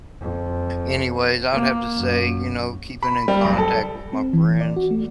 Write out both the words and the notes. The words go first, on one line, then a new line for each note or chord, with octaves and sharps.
anyways, I would have to say, you know, keeping in contact with my friends,
F2
A#3
F#2
B5
G3
F#1
A4
C4
E3
D5
F#4
A3